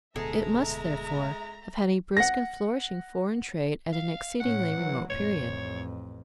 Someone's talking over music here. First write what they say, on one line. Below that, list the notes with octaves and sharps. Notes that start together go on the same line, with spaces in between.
It must, therefore, have had a brisk and flourishing foreign trade at an exceedingly remote period.
D1 D2 B2 G#3 G#4 A4 E5 A#5
F#5 A#6
F5
A2 C#4 F#5
E3 F#3
A1 F2 C#5